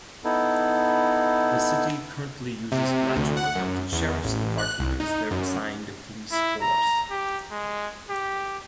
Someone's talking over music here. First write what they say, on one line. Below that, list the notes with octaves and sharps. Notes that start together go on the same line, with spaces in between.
The city currently uses Alachua County Sheriff's Department as their assigned police force.
B3 D#4 E4 A4
C3
D2
F#5
F#2
E2
A1
F#6
C2
D#4
F#2
E4
A#5
G4
G#3
G4